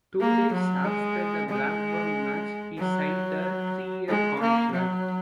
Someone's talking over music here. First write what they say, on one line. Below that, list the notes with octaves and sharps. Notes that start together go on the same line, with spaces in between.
Two days after the Blackburn match, he signed a three-year contract.
A#3
F#3
G#3
G#3
F#3
G#3
A#3
F#3